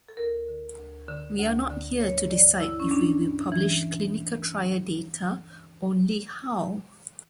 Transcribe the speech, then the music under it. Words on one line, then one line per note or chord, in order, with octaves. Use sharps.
We are not here to decide if we will publish clinical-trial data, only how.
A4
D2 A#4
D3
D2
D3
D2
D3
G2 C#5
E3 D5
G2 E4
C#4
E3 D4
G2
E3